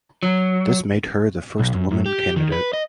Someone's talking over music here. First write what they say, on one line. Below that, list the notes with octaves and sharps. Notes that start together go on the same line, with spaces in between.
This made her the first woman candidate.
F#3
B1
F#2
F#2
G4
D#3
B4
D#5